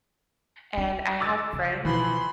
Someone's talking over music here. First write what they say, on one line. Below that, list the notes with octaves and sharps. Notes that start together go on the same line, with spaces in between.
and I have friends
D4
D6 E6 A6
C#3
B2 E3 F3 B5 C6